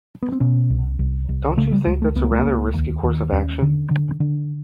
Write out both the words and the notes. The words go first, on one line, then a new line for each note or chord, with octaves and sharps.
Don't you think that's a rather risky course of action?
B3
C4
B2 C#4
C2
C2
C2
C#3 A3
G3
C#2 G#3
A3
C#2 B3
A#3
A3
C#2 A#3
D#2
D#2
D#2 C#4
D3
D3
D3